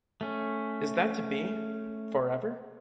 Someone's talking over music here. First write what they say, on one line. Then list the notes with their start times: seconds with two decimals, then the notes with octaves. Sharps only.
Is that to be — for ever?
0.21 A3 C#4